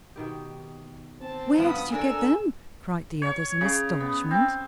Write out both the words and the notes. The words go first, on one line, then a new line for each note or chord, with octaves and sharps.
"Where did you get them?" cried the others in astonishment.
B2 D#3 G4
C4 A5
G2 F3 B3 F4 B5 D#6
C4 D4 A4 A#4 G#5 E6
C#5
C#3
B3
C4